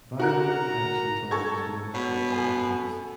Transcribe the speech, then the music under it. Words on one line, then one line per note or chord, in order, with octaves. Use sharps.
Viral infections almost never cause cavities.
F#4 A#4 A#5 F#6
A4 C#6 G#6
B2 C#5
A4 G#5